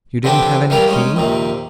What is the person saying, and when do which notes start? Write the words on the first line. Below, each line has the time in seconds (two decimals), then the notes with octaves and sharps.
"You didn't have any key?"
0.24 D3 E3 C4 D4 G4
0.70 E3 G3 G4 A#4 F5
0.88 G#3 C#4 D#4
1.16 A#1 D#2 C3 A#3